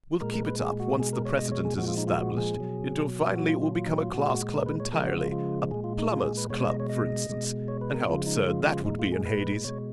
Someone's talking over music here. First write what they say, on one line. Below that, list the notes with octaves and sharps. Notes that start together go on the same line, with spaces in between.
We'll keep it up, once the precedent is established, until finally it will become a class club entirely--a Plumbers' Club, for instance--and how absurd that would be in Hades!
A#2 G#3 A#4
A#4
B4
G#4
F#4
B2 G#3 G#4
A#4
C#5
D#5
C#5
G#4
A#2 F3 G#3 F#4
F4
D#4
F4
F#4
G#4
B2 F#3
A#2 F#3 F#4
F4
F4
F4
D#4
F4
A#2 G#3 F#4
A#4
B4
C#5
C#3 F3 G#3 A#4
F#4
F4
F4
A#2 G#3 G#4
F4
D#4
F4
G#4
B4
B2 G#3 C#5
C#5
D#5
C#5
D#5
B2 G#3
C#5
B4
A#4
C#3 F3 G#3 F4
D#4
F4
F4
A#2 G#3 D#4
F4
G#4
B4
B2 G#3 C#5